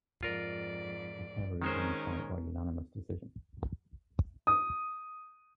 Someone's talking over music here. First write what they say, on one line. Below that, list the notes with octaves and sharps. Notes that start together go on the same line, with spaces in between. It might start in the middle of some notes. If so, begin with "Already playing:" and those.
Takeru won the fight by unanimous decision.
F2 G#2 F4 A#4 D5
D#3 G#3 C#4 D#4 A#4 C5
D#6